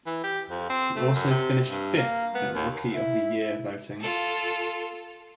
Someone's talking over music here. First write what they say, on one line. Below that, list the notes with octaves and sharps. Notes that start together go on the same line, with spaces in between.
He also finished fifth in Rookie of the Year voting.
E3
G4
F2
C4
A3
F#2
C3
G2
A#3
B3
D#2
E4
F4 A4